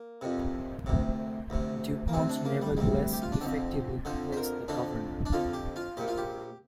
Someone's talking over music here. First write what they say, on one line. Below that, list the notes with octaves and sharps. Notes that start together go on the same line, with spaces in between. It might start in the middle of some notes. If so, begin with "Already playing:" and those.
Dupont nevertheless effectively replaced the Governor.
Already playing: A#3
F2 C3
D2 C3
D2 C3
A#3
D2 C3 C4
D4
A#3
G3
D2 C3 G3
G4
F4
D4
F2 D3 C4
F2 D3 C5
C5
A#4
F2 D3 D4
D4
F2 D3 F4
G4
F4
A#1 A#2 G4
F4
G4